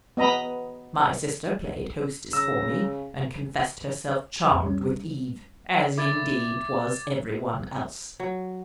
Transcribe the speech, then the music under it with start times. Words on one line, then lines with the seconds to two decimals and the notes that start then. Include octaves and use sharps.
My sister played hostess for me and confessed herself charmed with Eve, as indeed was every one else.
0.17 B3 D#5 A#5 B5
2.33 C#3 A#5 E6
4.51 F2
4.63 G3 C#4
5.98 E4 D6 G#6 A6
8.20 F#3